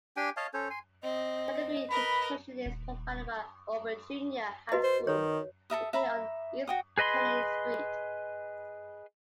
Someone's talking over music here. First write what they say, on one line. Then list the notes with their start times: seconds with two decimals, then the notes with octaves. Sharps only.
Secondary education is provided by Auburn Junior High School, located on East Kenney Street.
0.17 D4 G4 G5 G#5
0.37 C#5 D#5 F5 A5
0.54 C#4 A4 C5 C#5
0.70 G#5 C6
1.03 C4 D#5
1.90 A#4 B4 D#5 B5
2.66 D#1
4.72 F#4 B4 D#5
4.83 C5
5.07 D#3 C#5
5.70 A4 A#4 E5 D#6
5.93 E5 A#5 B5
6.67 F#4 G5 D#6
6.98 G#4 B4 D#5 B5 C6